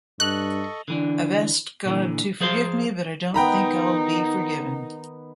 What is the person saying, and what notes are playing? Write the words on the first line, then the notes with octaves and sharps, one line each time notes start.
I've asked God to forgive me, but I don't think I'll be forgiven.
G2 A4 D#5 C#6 F#6
D3 E3 D4
A#2 D3 E3
F3 G#4 C5 F5 C6
D#3 B3 D#4 G5 A#5 B5